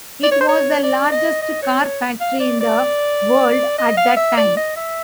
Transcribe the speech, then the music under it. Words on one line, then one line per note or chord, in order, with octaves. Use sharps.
It was the largest car factory in the world at that time.
D5
C#5
C5
C#5
D5
D#5
D#5
C#5
C#5
F5
D5
D5
D#5
F5
E5
D5
D#5
E5